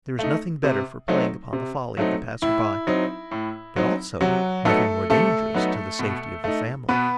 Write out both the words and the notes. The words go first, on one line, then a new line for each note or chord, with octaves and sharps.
There is nothing better for playing upon the folly of the passer-by, but also nothing more dangerous to the safety of the family.
A3 D#4
C3
F#3 A3 C4 D#4
C3
F#3 A3 C4 D#4
A2 E4
F#3 C4 D#4
A2
F#3 C4 D#4
C3 F#3 F#4
F#3 A3 B3 D#4 A4
C3 A3 A4
F#3 B3 D#4
B2
A3 D#4
B2 B3 B4